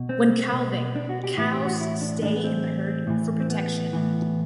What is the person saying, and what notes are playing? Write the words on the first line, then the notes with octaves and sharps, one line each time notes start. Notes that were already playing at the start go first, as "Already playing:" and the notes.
When calving, cows stay in the herd for protection.
Already playing: B2
C4
B2
D4
F#4
G4
A2 E3 E4
G4
F#4
E4
D4
A2 E3 D4
B3
C4
A2 E3
C4
B3
A2 E3